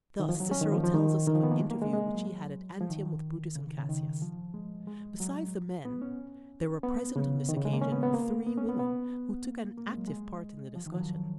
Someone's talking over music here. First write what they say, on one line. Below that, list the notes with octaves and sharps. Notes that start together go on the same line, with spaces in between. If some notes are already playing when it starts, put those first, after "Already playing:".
Thus, Cicero tells us of an interview which he had at Antium with Brutus and Cassius. Besides the men, there were present on this occasion three women, who took an active part in the discussion.
D#3
F3
F#3
C#4
D#3
F3
F3
D#3
D#3
F3
B3
A#3
G#3
A#3
G#3
G#3
F#3
F3
D#3
C#3
D#3
C#3
D#3
F3
G#3
G#3
F#3
B3
C#4
B3
C#3
D#3
C#3
G#3
A#3
C#4
B3
B3
A#3
B3
C#4
B3
B3
A#3
A#3
G#3
F#3
G#3
F3
D#3
F3
F#3